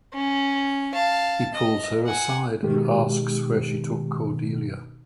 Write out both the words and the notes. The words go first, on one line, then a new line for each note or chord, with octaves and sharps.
He pulls her aside and asks where she took Cordelia.
C#4
F5 A5
D#5
F#5 G#5
B2 D#3 G#3 G4